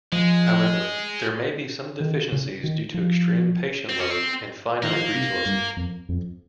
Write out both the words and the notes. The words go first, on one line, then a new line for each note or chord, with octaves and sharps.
However, there may be some deficiencies due to extreme patient load and finite resources.
F3 G#3
D#3
C#3
D#3
F3
C4
C#4
C4
D#3 A#3
F3
D#3
C3
G2
F2
F2